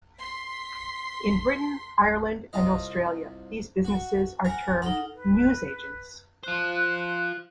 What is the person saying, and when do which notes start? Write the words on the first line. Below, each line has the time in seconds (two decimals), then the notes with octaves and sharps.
In Britain, Ireland and Australia, these businesses are termed "newsagents".
0.20 C6 B6
2.53 C2 F4 D#5
3.85 F#4 C#6
4.45 A#4 F#5 G#5
4.82 D#4 A4 A#4 F#5
5.14 B4
6.44 F4 C5 F#6